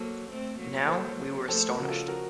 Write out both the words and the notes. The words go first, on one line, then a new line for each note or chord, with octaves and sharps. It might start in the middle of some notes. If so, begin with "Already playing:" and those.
Now we were astonished.
Already playing: F#3 A#3 A4 C5
A3 C4
F#3 A#3
A4 C5
F3 A3 A4 C5
F#4 A#4
C#3 F3
F4 A4
F#4 A#4